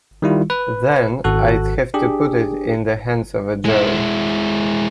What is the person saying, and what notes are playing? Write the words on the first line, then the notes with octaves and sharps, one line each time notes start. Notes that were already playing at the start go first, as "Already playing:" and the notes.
Then I'd have to put it in the hands of a jury.
D#3 G3 E4 F4
B4
G#1 F#4 A4 F#6
D4 G4 G#4
G#3 E4